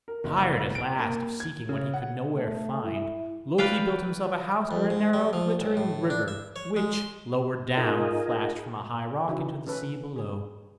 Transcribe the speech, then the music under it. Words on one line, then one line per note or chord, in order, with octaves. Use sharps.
Tired at last of seeking what he could nowhere find, Loki built himself a house near a narrow, glittering river which, lower down flashed from a high rock into the sea below.
A#4
F#1
D7
A#3
G#6
C#3
F#5
A3
E4
B4 D5 F5 G5
F2
G#2
G3
F3
B1
A2
D4
E5
C#5
G#3
C6
D#4 F4 G#4 A#4 D#5
C#3 E3 D#4 E4 F#4
C#4 A4 B4
G#4